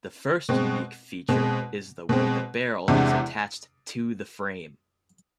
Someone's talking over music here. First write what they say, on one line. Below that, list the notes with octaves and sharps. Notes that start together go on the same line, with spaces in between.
The first unique feature is the way the barrel is attached to the frame.
B2 G#3 C4
B2 G#3 C4
B2 G#3 C4
E2 C3 G#3 D4